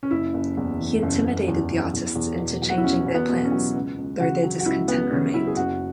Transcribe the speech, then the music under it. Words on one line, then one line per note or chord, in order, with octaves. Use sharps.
He intimidated the artists into changing their plans, though their discontent remained.
C#4
F#1 E4
F#1
E2
E3
F#1
F#1
E2
E3
E2
E2
B2
F#3
F#4
E4
E2 C#4
E2
B3
B2
C#4
F#3
C#2
C#2
C#3 F#4
F#3
F#4
C#2 E4
C#2 B3
C#3 C#4
F#3 E4
G#4
F#1 F#4